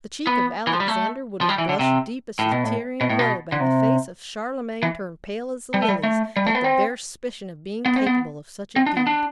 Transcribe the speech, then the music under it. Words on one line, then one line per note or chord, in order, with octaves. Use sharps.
The cheek of Alexander would have blushed deep as his Tyrian robe; and the face of Charlemagne turned pale as the lilies, at the bare suspicion of being capable of such a deed.
B3
E3
F3
G3
A3
F3
G3
E3
D3
C3
A2
B2
A2
B2
A2
B2
D3
C3
E3
G3
A3
G3
A3
G3
A3
B3
C4
B3
C4
B3
C4
D4
B3
D4